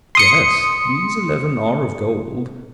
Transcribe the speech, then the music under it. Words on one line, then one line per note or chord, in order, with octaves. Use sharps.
Yes, these eleven are of gold.
C6 D#6 C#7